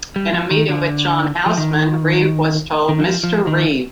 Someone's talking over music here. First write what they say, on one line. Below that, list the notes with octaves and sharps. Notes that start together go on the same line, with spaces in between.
In a meeting with John Houseman, Reeve was told, Mr. Reeve.
G3
F3
D#3
D3
F3
D#3
D#3
F3
F3
D#3